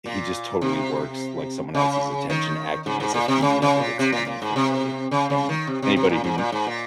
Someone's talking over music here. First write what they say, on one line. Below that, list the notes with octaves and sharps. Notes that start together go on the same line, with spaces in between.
he just totally works like someone else's attention, acting as if he never gets any from me, and anybody who kn
A#2
C3
C#3
D#3
G#2
G#2
A#2
C3
C#3
C#3
A#2
C3
A#2
A#2
G#2
C3
C#3
C#3
D#3
C3
C3
C3
A#2
G#2
A#2
G#2
A#2